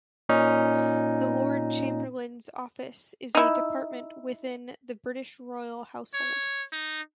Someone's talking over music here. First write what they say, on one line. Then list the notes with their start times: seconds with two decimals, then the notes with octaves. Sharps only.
The Lord Chamberlain's Office is a department within the British Royal Household.
0.29 A#2 C#4 D#4
3.35 D#4 E4
6.14 C#5
6.73 D#4